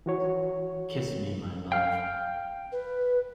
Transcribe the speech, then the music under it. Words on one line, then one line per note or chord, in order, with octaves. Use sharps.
Kiss me, my love.
E3 F#4 C#5
F5 G5 F6
B4